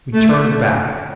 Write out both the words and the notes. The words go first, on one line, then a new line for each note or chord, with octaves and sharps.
We turned back.
A3